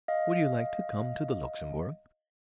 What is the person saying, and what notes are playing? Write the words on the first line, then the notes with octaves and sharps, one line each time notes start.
"Would you like to come to the Luxembourg?"
D#5 F5